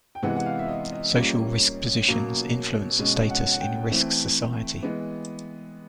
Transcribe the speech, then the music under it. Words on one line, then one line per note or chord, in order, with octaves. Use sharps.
Social risk positions influence status in risk society.
G5
C3 E3 G#3 B3 F#5
F#5
F5
E5
D#5
D#5
A#2 G3 A#3 C#4
B2 F#3 A#3 C#4
B2 G#3 C#4
F#5
F#5
G5
E3 A3 C4
E3 G#3 B3